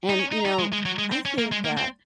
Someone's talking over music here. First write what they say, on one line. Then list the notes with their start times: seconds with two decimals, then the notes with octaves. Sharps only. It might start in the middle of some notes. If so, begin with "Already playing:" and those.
and, you know, I think that,
0.10 D#4
0.19 C#4
0.32 D#4
0.46 D#4
0.59 G#3
0.72 G#3
0.85 F#3
0.99 G#3
1.12 C4
1.25 C#4
1.38 A#3
1.52 G#3
1.65 A#3
1.77 C4